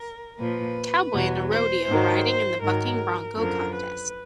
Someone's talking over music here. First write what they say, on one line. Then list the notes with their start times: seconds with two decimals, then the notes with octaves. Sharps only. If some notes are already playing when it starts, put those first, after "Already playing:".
A cowboy in a rodeo riding in the Bucking Bronco contest.
Already playing: A#4
0.38 A#2 F3 B4
1.13 E2 B2 F#3
1.50 C5
1.87 G#2 D#3 F#3
2.25 C5
2.62 G#2 D#3 F#3 A#4
3.36 F#2 D3 F3 A#4
3.75 B4